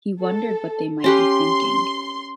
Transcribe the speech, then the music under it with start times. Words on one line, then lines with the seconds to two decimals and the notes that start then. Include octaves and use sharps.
He wondered what they might be thinking.
0.21 A4
1.04 C#4 G4 B4 C6